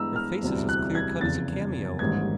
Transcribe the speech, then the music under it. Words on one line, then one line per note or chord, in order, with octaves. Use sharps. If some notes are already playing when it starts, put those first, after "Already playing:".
Her face is as clear-cut as a cameo.
Already playing: G2 E3 G#3 B3 D4 A#5 E6
F6
E1 D2 C3 E3 G3
F#6
G#6
F1 E2 C#3 A6
A1 G#2 D#3 G3 A#3 G#6